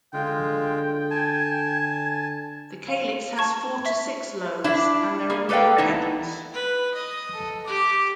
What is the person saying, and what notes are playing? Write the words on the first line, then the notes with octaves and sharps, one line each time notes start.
The calyx has four to six lobes and there are no petals.
D3 G#3 F4 G5
G#5 A5 G#6
F5
A5 C#6 G#6
E5 C#6 B6
D4 E4
A#3 G#4
G4 A4 B4 D5 F5 G5
E3 B3 D#4 E4 A5
B4
D#5
A4
G4 D6